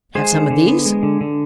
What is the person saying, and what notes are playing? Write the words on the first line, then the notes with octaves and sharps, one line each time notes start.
"Have some of these?"
G#3 G#4 C5
D3
D3
B3
G#3
D3
D3